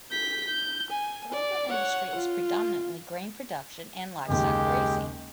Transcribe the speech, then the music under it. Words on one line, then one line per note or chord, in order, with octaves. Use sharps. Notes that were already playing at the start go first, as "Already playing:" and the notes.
The local industry is predominantly grain production and livestock grazing.
G6 B6
G6
G#5
D5
C#5 F#5
F4
F#1 D#2 G#3 G4